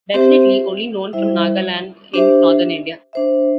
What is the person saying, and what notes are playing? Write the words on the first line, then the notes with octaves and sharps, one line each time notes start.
Definitely only known from Nagaland in northern India.
C4 G4 C5 E5
G3 E4 C5 E5
D4 G4 C5 E5
D4 C5 E5